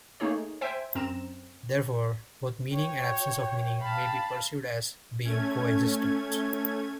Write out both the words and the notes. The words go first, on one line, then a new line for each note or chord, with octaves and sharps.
Therefore, both meaning and absence of meaning may be perceived as being co-existents.
A3 A#3 D#4 G#4 C#5
C5 E5 G5 G#5
F#2 C4 A#5 E7
F#4 C#5 G5
F5 A5 B5
A3 C#4 G#6